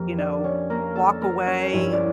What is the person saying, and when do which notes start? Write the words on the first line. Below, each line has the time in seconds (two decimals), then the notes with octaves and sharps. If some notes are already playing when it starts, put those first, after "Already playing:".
you know, walk away,"
Already playing: F2 F3 A#3 G4 A#4
0.18 D4 D5
0.44 C#4 C#5
0.70 A#3 A#4
0.95 A4
1.21 A#3 A#4
1.47 C#4 C#5
1.73 G2 F3 C#4 E4 E5
1.92 D5